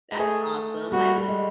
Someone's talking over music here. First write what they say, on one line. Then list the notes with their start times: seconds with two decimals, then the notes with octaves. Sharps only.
That's awesome. I li
0.12 G#3
0.19 A3 G#4
0.92 G3 F#4
1.18 G3
1.29 G#3